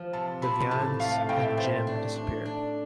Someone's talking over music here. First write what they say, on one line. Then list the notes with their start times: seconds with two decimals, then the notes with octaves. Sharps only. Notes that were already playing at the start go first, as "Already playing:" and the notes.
The Vians and Gem disappear.
Already playing: F3
0.13 C3 A5
0.42 C3 B5
0.71 A2 A5
1.00 A3 F5
1.18 F5
1.29 A2 G5
1.44 E5
1.57 A3 C5
1.87 D4
2.16 D4
2.46 D4